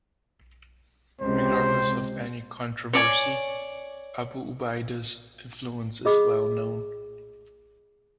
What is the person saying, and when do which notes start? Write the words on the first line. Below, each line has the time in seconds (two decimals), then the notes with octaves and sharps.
Regardless of any controversy, Abu Ubaida's influence is well known.
1.21 C#2 C3 C5
2.93 C#5 D5 G#5
6.05 F4 G#4 D#5 B5 D6